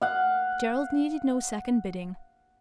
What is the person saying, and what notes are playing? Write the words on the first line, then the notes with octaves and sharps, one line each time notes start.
Gerald needed no second bidding.
F5 F#5